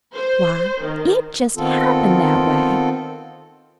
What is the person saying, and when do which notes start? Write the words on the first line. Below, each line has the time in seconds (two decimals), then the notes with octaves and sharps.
Why, it just happened that way.
0.15 C5
0.82 D#3
1.57 D#3 B3 C4 F4 A4